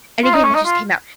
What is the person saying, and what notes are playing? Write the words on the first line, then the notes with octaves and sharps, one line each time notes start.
any game that just came out,"
F4
D#4
C#4
D#4
F4